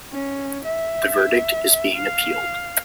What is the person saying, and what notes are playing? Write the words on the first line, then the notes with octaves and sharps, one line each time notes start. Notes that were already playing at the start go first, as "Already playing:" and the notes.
The verdict is being appealed.
C#4
E5
F5